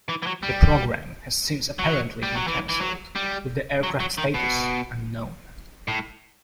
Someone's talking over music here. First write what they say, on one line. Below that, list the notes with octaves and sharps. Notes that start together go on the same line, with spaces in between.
The programme has since apparently been cancelled, with the aircraft's status unknown.
E3
E3
F#3
G3
F#3
G3
F#3
E3
E3
F#3
G3
F#3
F#3
D#3
B2
A2